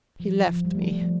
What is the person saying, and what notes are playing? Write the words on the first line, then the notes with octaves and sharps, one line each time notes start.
He left me.
F3
F3
G3
A3
F3